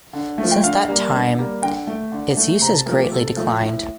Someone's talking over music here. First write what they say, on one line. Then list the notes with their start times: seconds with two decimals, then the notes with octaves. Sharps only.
Since that time, its use has greatly declined.
0.13 D3
0.38 A3
0.43 F3
0.51 G5
0.63 D3 F5
0.88 G3 A#3
1.13 D3
1.38 G3 A#3
1.62 D3 G5
1.87 A3
2.12 D3
2.37 A3
2.62 C3 A#5
2.74 A5
2.86 F3 A3 A#4
2.99 G4
3.11 C3 A4
3.36 F3 A3
3.61 A2